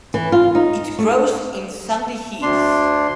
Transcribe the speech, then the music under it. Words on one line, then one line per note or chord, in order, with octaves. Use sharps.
It grows in sandy heaths.
E3
F4
D#4
A3
D2 D4 C6